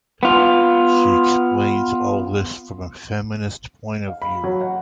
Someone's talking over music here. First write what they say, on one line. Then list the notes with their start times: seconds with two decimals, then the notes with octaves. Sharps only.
She explains all this from a feminist point of view.
0.23 B3 F4
4.08 F5
4.22 B5
4.44 F#3
4.61 F#5